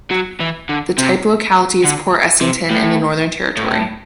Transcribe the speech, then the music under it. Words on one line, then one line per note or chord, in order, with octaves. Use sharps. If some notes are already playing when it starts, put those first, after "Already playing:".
The type locality is Port Essington in the Northern Territory.
F#3
E3
D3
C3
D3
C3
A2
A2